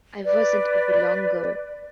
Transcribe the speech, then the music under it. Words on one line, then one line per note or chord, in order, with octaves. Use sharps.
I wasn't a belonger.
B4 D5